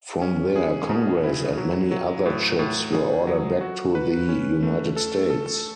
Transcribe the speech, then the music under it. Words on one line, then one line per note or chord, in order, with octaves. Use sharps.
From there, "Congress" and many other ships were ordered back to the United States.
C#4
G#4
B2
E4
F#3
F#3
A2
A2
G#4
F#3
F#4
B4
C#4
A3
A4
A4